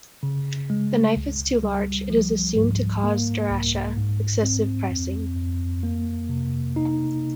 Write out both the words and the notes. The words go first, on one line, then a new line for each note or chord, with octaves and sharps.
If the knife is too large, it is assumed to cause "Derasah", excessive pressing.
C#3
G#3
C#2
G3
F3
G#2
A#3
C2
G#2
C4
F2
F2
A#3
C3
D#4